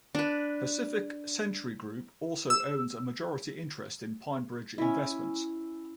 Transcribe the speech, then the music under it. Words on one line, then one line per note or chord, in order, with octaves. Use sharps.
Pacific Century Group also owns a majority interest in PineBridge Investments.
D4 B4
E6
C#4 E4